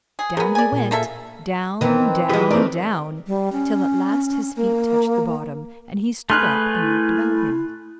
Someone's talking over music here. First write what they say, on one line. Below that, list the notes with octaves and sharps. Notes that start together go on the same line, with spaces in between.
Down he went, down, down, down, till at last his feet touched the bottom, and he stood up and looked about him.
G#4
F#3 B3 G#4 A#4
D5 G#5
A#2
A#3 A4 E5
D#3 E3 C4 B4
E3 F3 G#3 G4 G#4 B4
A3 C4 D#4 A#4 D5 A#5
G3
C#4
A#3
A3 G#4 B4 C6 F6 F#6
E4